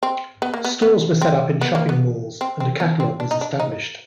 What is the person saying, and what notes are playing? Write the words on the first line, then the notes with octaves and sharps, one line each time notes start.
Stores were set up in shopping malls and a catalog was established.
C4
B3
A#3
B3
B3
C4
B3
A#3
B3
C4
C4
B3
C4
D4
D#4
D4
D#4